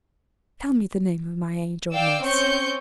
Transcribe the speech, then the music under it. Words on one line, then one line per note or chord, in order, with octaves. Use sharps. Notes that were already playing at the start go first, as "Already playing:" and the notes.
"Tell me the name of my angel nurse."
D5 F5 G5 D6 E6
C4 C#4 C#6 G6 C#7